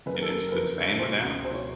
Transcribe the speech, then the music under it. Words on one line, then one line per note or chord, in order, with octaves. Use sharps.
and it's the same with animals,
F#1 B4
A#4
A4
F#1 A#4
A#4
F2 B4
D3
B2 C5
C#2
B2 C5
C#5